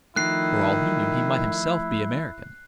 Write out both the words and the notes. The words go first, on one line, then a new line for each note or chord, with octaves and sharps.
For all he knew he might himself be American...
D#3 F3 A3 E4 F#6 C7